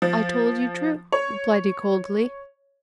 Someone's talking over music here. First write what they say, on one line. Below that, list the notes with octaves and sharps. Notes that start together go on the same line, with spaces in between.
"I told you true," replied he coldly.
F3
C#5